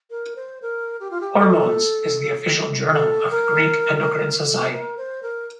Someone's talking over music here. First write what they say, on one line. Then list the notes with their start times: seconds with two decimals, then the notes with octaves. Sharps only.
Hormones is the official journal of the Greek Endocrine Society.
0.11 A#4
0.36 C5
0.62 A#4
1.00 G4
1.11 F4
1.21 G4
1.39 A4
2.93 A4
3.31 A#4
4.46 A4
4.72 A#4
4.98 C5
5.23 A#4